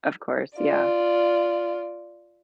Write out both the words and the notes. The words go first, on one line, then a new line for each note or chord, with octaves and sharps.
Of course, yeah.
F4 D5